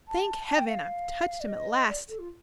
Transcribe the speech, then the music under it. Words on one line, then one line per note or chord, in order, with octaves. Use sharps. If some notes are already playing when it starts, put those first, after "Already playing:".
Thank Heaven, I've touched him at last!
A5
A5
G5
F5
D5
D#5
D5
A4
F4